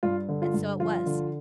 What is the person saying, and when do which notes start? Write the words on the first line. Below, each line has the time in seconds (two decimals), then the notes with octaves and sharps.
And so it was.'
0.03 G2 F4
0.29 D3
0.42 F4
0.54 G2
0.80 F3 F4
1.06 D3